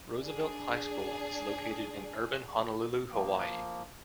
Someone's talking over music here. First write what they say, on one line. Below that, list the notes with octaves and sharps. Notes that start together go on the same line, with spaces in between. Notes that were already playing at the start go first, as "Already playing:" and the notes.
Roosevelt High School is located in urban Honolulu, Hawaii.
D4 G#4
F3 A#3